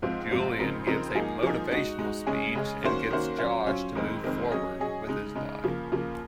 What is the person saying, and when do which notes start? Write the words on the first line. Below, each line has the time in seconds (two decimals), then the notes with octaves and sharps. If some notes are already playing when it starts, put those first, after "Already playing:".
Julian gives a motivational speech and gets Josh to move forward with his life.
0.02 G#2 F3 C4 F4
0.31 G#2 F3 C4 F4
0.59 C#3 F3 C4 D#4 A#4
0.86 C#3 F3 C4 D#4 A#4
1.14 F3 A#3 D#4 G#4
1.42 F3 A#3 D#4 G#4
1.71 G#3 D#4 F#4
1.99 G#3 D#4 F#4
2.27 C#3 G#3 C#4 G#4
2.55 C#3 G#3 C#4 G#4
2.83 D#3 A#3 C#4 F#4 C5
3.11 D#3 A#3 C#4 F#4 C5
3.39 F#3 C#4 F4 C5
3.67 F#3 C#4 F4 C5
3.95 F2 D#3 G#3 C4
4.23 F2 D#3 G#3 C4
4.51 F#3 C#4 G#4 D#5
4.79 F#3 C#4 G#4 D#5
5.07 C#3 G#3 D#4
5.35 C#3 G#3 D#4
5.63 C#3 F3 A#3
5.92 C#3 F3 A#3